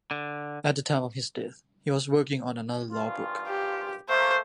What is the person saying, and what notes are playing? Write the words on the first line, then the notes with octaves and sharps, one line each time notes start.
At the time of his death he was working on another law book.
D3
G#1 G2 F4
G4
A3 A#3 C5